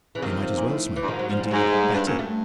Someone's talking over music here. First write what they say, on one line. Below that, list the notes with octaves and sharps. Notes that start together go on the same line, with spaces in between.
You might as well smoke- -indeed, better.
C#3 E3
C3 D#3 F3
A#2
A2
G2 E3
G#2 D#3 F3
F#3
F3 G3
G#2 F#3 G#3
G3 A3
G2 B3
F#2 A#3
G2 A3